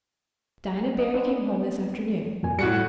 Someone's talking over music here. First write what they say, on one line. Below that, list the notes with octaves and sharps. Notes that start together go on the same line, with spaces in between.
Diana Barry came home this afternoon.
D#5
B3 C4 D4
F2 A#2 G#5
A2 G3 F#4 C#7